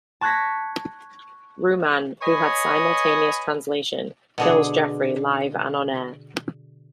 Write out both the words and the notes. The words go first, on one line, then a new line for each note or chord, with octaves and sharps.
Rumann, who had simultaneous translation, kills Geoffrey live and on-air.
A5 C#6 F#6 G#6 A#6 B6
B4 C#5 D#5 G#5 B5
B2 D3 G#4